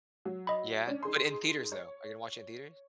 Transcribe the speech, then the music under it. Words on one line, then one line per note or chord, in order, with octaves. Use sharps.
Yeah. But in theaters, though, are you gonna watch in theaters?
F#3
D#5 B5
C#4 D4
D#4 G#4 C6
C#5